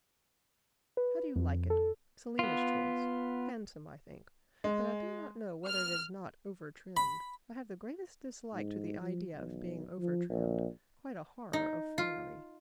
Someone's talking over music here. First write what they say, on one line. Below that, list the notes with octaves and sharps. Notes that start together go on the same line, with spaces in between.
How do you like it?--Selina's choice--handsome, I think, but I do not know whether it is not over-trimmed; I have the greatest dislike to the idea of being over-trimmed--quite a horror of finery.
B4
F2
A4
B3 F4
G#3
F6
B5
G#2
F3
B1
F3
A#1
D#4
F4